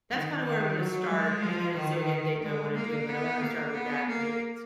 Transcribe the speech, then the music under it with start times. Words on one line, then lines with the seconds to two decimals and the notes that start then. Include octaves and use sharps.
that's kinda where I'm gonna start, I mean, there's a zillion things I wanna do, but I'm gonna start with that 'cause it s
0.10 D#3
0.43 D#3
0.76 F#3
1.10 G#3
1.42 F3
1.76 D#3
2.42 G#3
2.76 A#3
3.09 B3
3.42 A#3
3.75 B3
4.08 A#3